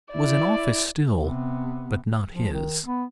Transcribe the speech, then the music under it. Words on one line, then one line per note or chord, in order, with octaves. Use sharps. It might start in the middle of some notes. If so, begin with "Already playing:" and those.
It was an office still, but not his.
E4 D5
C3 B3
F3
D#3
B3